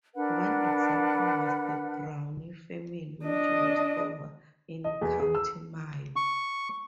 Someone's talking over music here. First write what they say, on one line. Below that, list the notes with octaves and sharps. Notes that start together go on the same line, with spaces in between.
One example was the Browne family which lost over in County Mayo.
D4 A#4 B4 F#5
D4 D#5
D#5
E2
G#4
E6
C#6